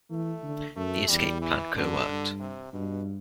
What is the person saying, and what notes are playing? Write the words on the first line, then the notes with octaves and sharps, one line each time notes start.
The escape plan could have worked.
E3 A3
D3
F#2 A3
E2 G3
E3
F#2 D3
G2
C3
G2 B2